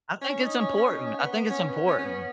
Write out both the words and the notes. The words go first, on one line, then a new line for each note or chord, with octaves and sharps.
I think it's important, I think it's important.
C#4
D#4
C#4
C#4
D#4
C#4
B3
B3
C#4
B3
C#4
C#4
B3